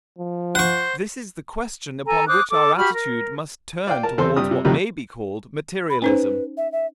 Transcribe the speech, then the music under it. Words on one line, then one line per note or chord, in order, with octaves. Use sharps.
This is the question upon which our attitude must turn towards what may be called materialism.
F3
C5 F#5 C#6
A4 G#5 A#5
C5 D6 D#6 F#6
A4 D6
F#4 G4 B5 F6
A#4
D5 F5 G5
A#4 A5
E2 C4 A4 C5 C6
G2 C3 G4 D#6
C3
F2 A2 C3 D#3 F#3 G3
B5
C#4 D#4 B4 C5
E5
E5